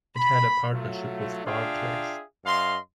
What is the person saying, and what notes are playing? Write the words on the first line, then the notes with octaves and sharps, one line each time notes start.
It had a partnership with Barclays.
B5
F#3 A3 F4
D4 F4 G#4 E5 F5 G5
F#2 D#5 F5 C6